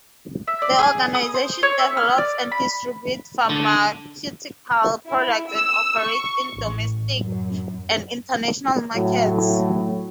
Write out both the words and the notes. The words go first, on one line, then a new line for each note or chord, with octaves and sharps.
The organization develops and distributes pharmaceutical products and operates in domestic and international markets.
E5
D5
G#4
D#6
C5
C#5
E5
F6
D5
B5
D3
E4
E6
C#6
A1
F#2
A2 F#3